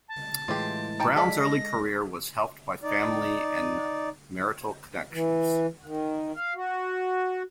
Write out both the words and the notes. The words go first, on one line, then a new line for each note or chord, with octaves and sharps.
Browne's early career was helped by family and marital connections.
A5
A2 E3 G#3 F4 G4
D#4 G5 A5
G#3 A4 D5 F5 B6
A#6
D#4 D5
E3
D#3
F5
F#4